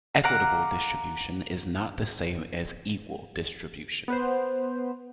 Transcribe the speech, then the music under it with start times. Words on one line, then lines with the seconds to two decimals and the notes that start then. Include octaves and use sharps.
Equitable distribution is not the same as equal distribution.
0.24 F5 F#5 A#5 D6
4.08 B3 B4 C5